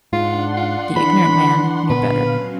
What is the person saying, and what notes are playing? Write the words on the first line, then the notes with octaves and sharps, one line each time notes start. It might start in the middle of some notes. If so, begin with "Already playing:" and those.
The ignorant man knew better.
G#2 D4 F4 F#5 C6
F4
E3 B5
A#2 D3 B3 B4 F5
F#3 C#4